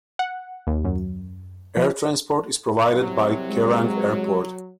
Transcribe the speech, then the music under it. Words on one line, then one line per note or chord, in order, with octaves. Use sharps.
Air transport is provided by Kerang Airport.
F#5
D#2
F#2
F3
C2 C3 F#3
G#3